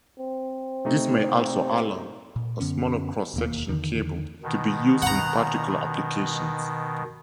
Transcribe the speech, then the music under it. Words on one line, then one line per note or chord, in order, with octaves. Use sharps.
This may also allow a smaller cross-section cable to be used in particular applications.
C4
C3 A3 D#4
A#2
F#2 D3 B3 C#4
E1 D#2 A#3
E2 D3 D#3
B2 D#3
F#5 A#5